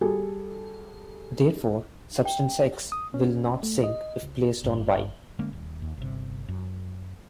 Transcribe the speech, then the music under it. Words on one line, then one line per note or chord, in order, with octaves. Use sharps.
Therefore, substance X will not sink if placed on Y.
G3 F#4 G#4 A4
G5
D#6
C#4
A3
D#5
C#2
G#1 G2
D3 G#3 A#3 C#4
D#1
D#2
G1 C3
F#2